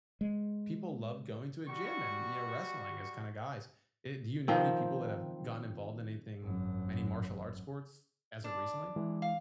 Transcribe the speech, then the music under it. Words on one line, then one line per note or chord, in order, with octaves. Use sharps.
people love going to a gym and, you know, wrestling as kinda guys. Eh, do you know any people that have gotten involved in anything many martial arts sports as of recently?
G#3
G3 F#4 C#6
D#3 F3 C4
G#1 F#2
D4
E3 G#3
F5